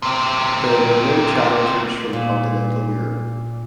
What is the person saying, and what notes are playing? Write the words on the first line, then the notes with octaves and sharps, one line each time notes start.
There were no challengers from continental Europe.
A#2 C4
A#2